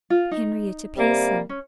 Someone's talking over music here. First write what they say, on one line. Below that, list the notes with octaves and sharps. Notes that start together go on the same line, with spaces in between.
"Henrietta Pierson."
F4
D#4
C3 G3 A#3
C#4